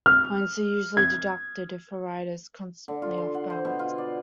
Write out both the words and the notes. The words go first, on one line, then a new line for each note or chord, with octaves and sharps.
Points are usually deducted if a rider is constantly off balance.
F6
G#6
D3
F4
C6
F#5
C5
B2
F4
D5